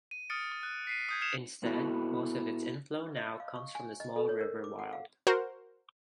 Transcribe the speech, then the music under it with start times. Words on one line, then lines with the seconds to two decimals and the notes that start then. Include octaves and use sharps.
Instead, most of its inflow now comes from the small river Wild.
0.11 D#7
0.30 D#6 F6 A6 C#7 D7
0.63 F#6
0.87 B6 C7 D#7
1.09 D#6 G6 G#6
1.21 F6 G#6 C7 C#7 E7 F7
1.62 A#2 B3 E4 F#4 A4
3.17 D#5
3.40 F5
3.56 C#6
3.75 G#5
4.00 D#5
4.16 A4
4.29 C#5
4.41 A#4
4.64 D6
4.79 F#5
4.93 F5
5.27 F#4 A#4 C5